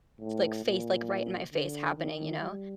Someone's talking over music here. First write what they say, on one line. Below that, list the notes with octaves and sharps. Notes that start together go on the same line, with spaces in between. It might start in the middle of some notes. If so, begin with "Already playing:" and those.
like, face like, right in my face happening, you know?
A2
A#2
D3
D#3
G3